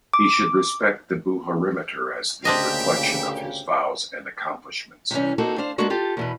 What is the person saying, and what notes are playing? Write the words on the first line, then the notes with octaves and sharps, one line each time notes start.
He should respect the Buharimeter as the reflection of his vows and accomplishments.
D6
D2 A#2 C#3 C4 D4 G4 D#5 E5
C3 E3 G3 C#4
A#3 C4 D#4 F#4 A4
D4 C5 F5
G#3 A#3 B3 D4 F#4 A4
F4 G4 A4
E2 B2 B4